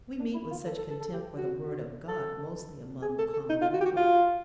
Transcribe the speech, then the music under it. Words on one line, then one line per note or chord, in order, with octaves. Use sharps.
We meet with such contempt for the Word of God mostly among the common people.
D4
E4
F4
A4
A4
A4
A4
G4
F#4
A4
G#4
A4
A4
D#4
F4
F#4
G4
F#4
F4